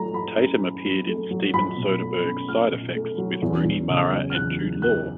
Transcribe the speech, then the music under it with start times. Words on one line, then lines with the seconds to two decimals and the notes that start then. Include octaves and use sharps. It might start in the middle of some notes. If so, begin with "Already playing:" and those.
Tatum appeared in Steven Soderbergh's "Side Effects", with Rooney Mara and Jude Law.
Already playing: F#3 A3 A#5
0.13 F#3 B5
0.37 C#4
0.61 F#3
0.85 F#3
1.08 A3
1.31 F#3
1.54 F#3 B5
1.77 B2
2.00 A3
2.25 C#4
2.48 A3 F6
2.71 B2
2.95 A3
3.18 F#3
3.42 E2
3.64 E2
3.89 C#3
4.12 F#3
4.30 F6
4.35 E2 F#6
4.59 F#3
4.82 F#3 F#6